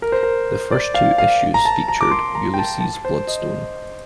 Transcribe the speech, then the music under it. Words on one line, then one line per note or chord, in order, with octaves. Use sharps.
The first two issues featured Ulysses Bloodstone.
A#4
C5
A#4
D5
F5
F5
A#5
A5
A#5
D6
C6
A#5
G5
A5
A5
C5
D#5